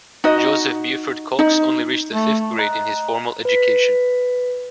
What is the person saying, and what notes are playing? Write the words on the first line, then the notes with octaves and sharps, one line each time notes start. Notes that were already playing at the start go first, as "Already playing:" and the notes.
Joseph Buford Cox only reached the fifth grade in his formal education.
D#4 F#4 D#5
D#4
A3
D#5 A#5 F#6
B4 B6